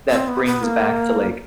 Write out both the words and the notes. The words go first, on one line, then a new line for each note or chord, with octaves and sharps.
that brings back to, like,
C4
B3
B3
A#3